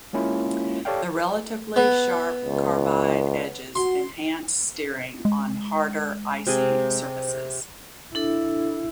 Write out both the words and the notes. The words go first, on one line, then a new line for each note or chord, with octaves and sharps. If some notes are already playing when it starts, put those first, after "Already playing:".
The relatively sharp carbide edges enhance steering on harder icy surfaces.
G#3 A#3 C#4 E4 F4
G4 A4 C#5 D5 F5 G5
B3
C#2
F#4 C6
G#3
C3 G#4
D4 E4 A4